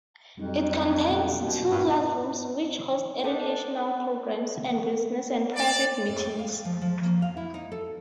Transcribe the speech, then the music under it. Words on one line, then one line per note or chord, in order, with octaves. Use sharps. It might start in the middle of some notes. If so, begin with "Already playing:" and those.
It contains two classrooms which host educational programs and business and private meetings.
F2 F#3 G3 D#4
B2 B3 C#4
B2 A#3
G2
D4 D#4 A4 B4
D5
A2
G5
F5
F3
F3
A#3
F5
E4
D#4
A4